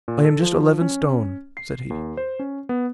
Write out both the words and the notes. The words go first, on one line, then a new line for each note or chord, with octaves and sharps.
"I am just eleven stone," said he.
A#2
A4
F3
C#4
C7
D#2
C5
C#4
B3